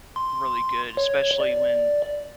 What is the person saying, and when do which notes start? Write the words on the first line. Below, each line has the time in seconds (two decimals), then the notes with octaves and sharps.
really good, especially when,
0.16 C6
0.97 C#5
1.40 D5